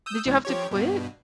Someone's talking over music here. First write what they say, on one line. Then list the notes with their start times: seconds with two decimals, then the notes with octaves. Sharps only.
Did you have to quit?
0.06 D#6 E6 G6
0.26 B1 E3 G#3
0.45 F3 G4 C#5
0.71 G2 B2